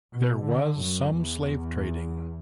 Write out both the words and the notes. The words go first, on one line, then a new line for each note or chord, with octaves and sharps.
There was some slave trading.
B2
D3
F#2
E2